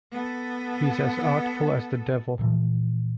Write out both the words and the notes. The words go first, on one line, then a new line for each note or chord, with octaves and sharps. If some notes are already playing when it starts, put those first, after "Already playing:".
He's as artful as the devil.
B3 A4
A#2 E3 F3